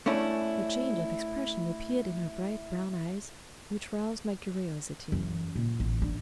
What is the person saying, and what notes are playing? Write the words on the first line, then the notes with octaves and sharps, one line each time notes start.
A change of expression appeared in her bright brown eyes which roused my curiosity.
A3 C#4 D4 E4
F#2 E3
A#2
A1
D4